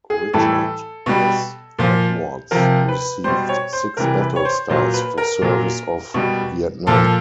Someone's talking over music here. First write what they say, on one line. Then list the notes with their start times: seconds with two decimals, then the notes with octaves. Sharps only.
Richard S. Edwards received six battle stars for service off Vietnam.
0.10 G#4
0.33 A2 E3 G3 A4
1.06 B2 G3
1.79 A#2 F3
2.51 C3 F3 A#4
2.88 B4
3.24 B2 G3 C5
3.49 C#5
3.73 C5
3.97 C3 E3 G3 A#4
4.22 B4
4.36 C#5
4.45 C5
4.69 A#2 F#3 C5
4.94 B4
5.18 A#4
5.42 A#2 F#3
6.14 B2 G3
6.87 A#2 F3 A4